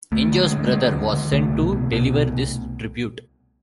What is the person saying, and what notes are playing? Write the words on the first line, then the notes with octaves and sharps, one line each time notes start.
Injo's brother was sent to deliver this tribute.
D2 A3
D3
G#3
D2
A3
D3 G#3
D2
D3
C2 A3
B2
C2
B2
C2